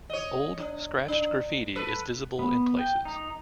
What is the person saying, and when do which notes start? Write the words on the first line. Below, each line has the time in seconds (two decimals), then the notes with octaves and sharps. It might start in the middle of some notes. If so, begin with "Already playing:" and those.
Old scratched graffiti is visible in places.
0.10 C#5 D#5
0.59 D4
1.08 D4
1.76 A4 B4
2.39 B3
2.79 G5
3.05 D#4